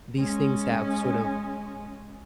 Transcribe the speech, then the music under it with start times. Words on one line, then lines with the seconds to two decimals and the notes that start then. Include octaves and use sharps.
These things have sort of,
0.18 G#3 C#4